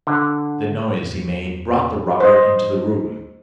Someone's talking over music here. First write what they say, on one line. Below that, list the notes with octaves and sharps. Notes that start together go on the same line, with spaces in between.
The noise he made brought the robber into the room.
D3
E2
C5 D#5